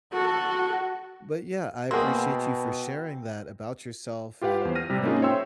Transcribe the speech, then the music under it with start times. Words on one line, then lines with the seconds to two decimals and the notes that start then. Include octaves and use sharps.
but yeah, I appreciate you for sharing that about yourself, and, you know,
0.13 F#4 A4
1.91 B2 A#3 C4 F#4 G#4
4.41 F4 G4 B4 F5 F#5
4.62 E2 C5
4.75 F6 A#6 D#7
4.90 C3 G3
5.04 A#3 C#4 D#4 F4 G#4
5.22 C5 C#5 E5 G5 C6 E6